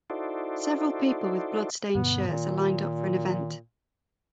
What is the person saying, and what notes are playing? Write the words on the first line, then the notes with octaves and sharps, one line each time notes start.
Several people with blood stained shirts are lined up for an event.
D#4 E4 F#4 A4 C5 D5
G2 B2 D3 B3
A#2 D#3